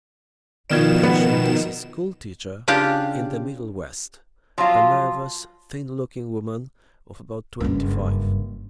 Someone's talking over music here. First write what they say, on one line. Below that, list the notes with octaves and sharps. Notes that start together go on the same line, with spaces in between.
The patient is a school-teacher in the Middle West, a nervous, thin-looking woman of about twenty-five.
B2 D#3 F3 F4 D5 E7
B3
C#3 D4 F4 G4
F3 F#3 F4
F#1 G2